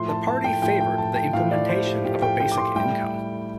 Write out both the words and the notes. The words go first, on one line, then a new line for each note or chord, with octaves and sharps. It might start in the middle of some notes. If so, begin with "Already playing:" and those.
The party favoured the implementation of a basic income.
Already playing: A2 F3 C6
A5
A5
G5
A2 F3 G5
G5
A5
G5
A2 F3 F5
D5
C5
G4
A2 F3 G4
G5
G5
D6
C6
A2 G3 G5